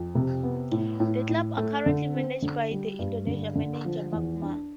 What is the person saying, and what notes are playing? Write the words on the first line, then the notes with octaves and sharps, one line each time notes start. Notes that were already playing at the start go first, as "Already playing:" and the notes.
The club are currently managed by the Indonesia manager Makmur.
Already playing: F2
C3
B3
A2
A2
A2
A3
D3
C4
D3
G3
G2
D3
D3
F3
E2
D4